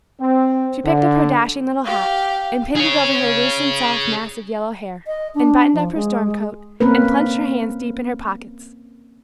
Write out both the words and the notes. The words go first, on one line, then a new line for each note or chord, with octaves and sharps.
She picked up her dashing little hat, and pinned it over her loosened soft mass of yellow hair, and buttoned up her storm coat, and plunged her hands deep in her pockets.
C4
D3
G4 F5
G#4 C#5
D#5
D4
F3
G#3
A#3 C4 C#4 A#4 B4